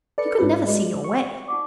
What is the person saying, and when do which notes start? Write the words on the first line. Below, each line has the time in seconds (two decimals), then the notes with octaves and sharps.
You can never see your way!'
0.18 A4 B4 D5 C#7
0.38 G#2 C#4 F4 B4 C#5
0.67 G#3 F#4 B4 D#5
1.04 C#6
1.48 D#4 F#5 D6